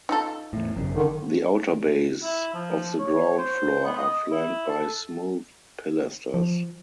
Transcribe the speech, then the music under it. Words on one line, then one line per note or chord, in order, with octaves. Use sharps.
The outer bays of the ground floor are flanked by smooth pilasters.
D#4 F4 A4
E2 A2
G#1 F#2 C#3
D3 D#3
E4
F3
C#5
C5
B3
D#5
E4
A4
F3